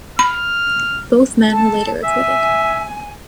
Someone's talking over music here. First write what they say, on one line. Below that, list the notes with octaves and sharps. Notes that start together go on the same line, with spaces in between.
Both men were later acquitted.
B5 F6
A4 A5
E5 G#5